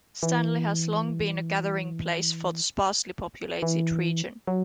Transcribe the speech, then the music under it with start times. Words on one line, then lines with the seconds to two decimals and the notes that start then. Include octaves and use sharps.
Stanley has long been a gathering place for the sparsely populated region.
0.23 E3
3.62 E3
4.47 F#3